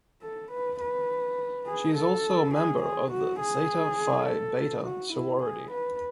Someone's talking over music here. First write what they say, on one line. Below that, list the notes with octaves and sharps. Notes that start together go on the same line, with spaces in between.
She is also a member of the Zeta Phi Beta Sorority.
A4
B4
B4
G#4
A4
G#4
G#4
F#4
G#4
A4
F#4
E4
G#4
B4